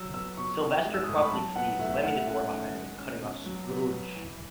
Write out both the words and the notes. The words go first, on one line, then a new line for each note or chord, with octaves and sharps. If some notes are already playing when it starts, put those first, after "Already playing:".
Sylvester promptly flees, slamming the door behind him and cutting off Scrooge.
Already playing: F#3 E6
B3 E6
B2 C#6
E3
G#3
E6
D#6
A2 C#6
B5
F#3 A5
B3 F#5
A2 E5
A3 F#5
E5
C#4 F#5
D#3
G#3
C#4
B2
F#3
B3
B2
E3